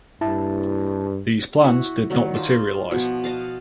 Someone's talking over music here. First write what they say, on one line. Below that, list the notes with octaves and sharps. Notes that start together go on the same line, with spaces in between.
These plans did not materialize.
G2 E4 A5
E4 F#4
D#3 F#3 G3
D#4 F4 A5
B2 F3 F#4
D#5 F5 A5